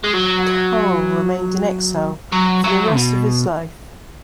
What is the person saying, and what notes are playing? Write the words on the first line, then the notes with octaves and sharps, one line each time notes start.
Carol remained in exile for the rest of his life.
G#3
F#3
F#3
F#3
B2